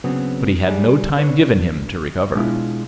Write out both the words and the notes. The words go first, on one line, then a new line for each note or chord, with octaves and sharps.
But he had no time given him to recover.
C#3 F#3 B3 C4
G3 D4 G#4
D4 B4 C#5
B2 G#3 D4 E4 F4